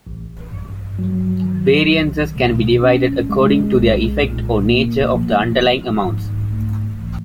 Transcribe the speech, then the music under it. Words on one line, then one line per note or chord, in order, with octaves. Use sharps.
Variances can be divided according to their effect or nature of the underlying amounts.
A1
G2
F#3
D#3
C2
B2
C#4
G#3
B1
A#2
A#3
F3
G#1
G#2
A3
E3